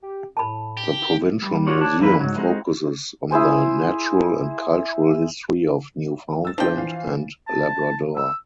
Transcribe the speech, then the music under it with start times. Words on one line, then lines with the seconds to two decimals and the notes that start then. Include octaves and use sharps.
The Provincial Museum focuses on the natural and cultural history of Newfoundland and Labrador.
0.03 G4
0.37 A2 A5 B5
0.77 G4
1.42 G3
1.67 F4 F#4 C#5 D5
1.81 D4 C#5
1.99 F2 D3 A#3 E4 B4
2.20 G#2 F#3
2.38 G#3 C4 D#4 E4 F#4
3.31 E4 G#4 C5 G#5
6.45 E6 A6
6.58 F3 D4 G5
6.77 E3 F5
7.47 A5
8.17 E6